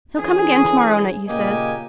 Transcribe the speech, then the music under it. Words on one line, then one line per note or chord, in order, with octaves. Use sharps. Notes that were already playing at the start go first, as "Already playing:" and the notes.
'He'll come again to-morrow night, he says.
D3 E3 C#4 G#4
A#2 C#3 A#3 G4 D#5 G#5